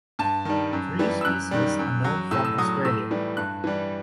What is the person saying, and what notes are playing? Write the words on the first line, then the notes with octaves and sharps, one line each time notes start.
Three species are known from Australia.
G2 A5
D#3 G3
F#2
E3 G3
E6
F#2 F#6
D#3 G3
F#2
F#3
A2 E6
E6
F#3 D#6
A2 E6
E3 G3
G2 F#6
E3 G3